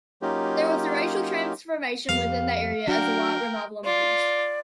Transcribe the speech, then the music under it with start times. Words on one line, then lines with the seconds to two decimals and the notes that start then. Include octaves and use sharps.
There was a racial transformation within the area, as a white revival emerged.
0.22 F#3 A#3 C#4 D#4 F4 G4
2.09 F2 G3 A#3 F5
2.87 F#3 D4 F#4 A#4 G5
3.84 F4 D5